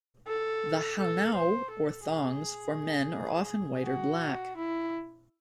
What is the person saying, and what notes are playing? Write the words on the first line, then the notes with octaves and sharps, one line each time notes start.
The "hanao", or thongs, for men are often white or black.
A4
A4
C5
A4
G#4
F#4
E4